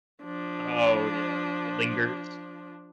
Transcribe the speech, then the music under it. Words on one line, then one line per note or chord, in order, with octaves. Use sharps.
Oh, yeah. It lingers?
F3 D4